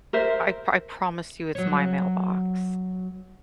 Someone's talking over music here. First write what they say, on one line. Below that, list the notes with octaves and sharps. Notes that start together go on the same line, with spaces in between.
I I promise you it's my mailbox.
A#4 C5 E5
F#3 C#5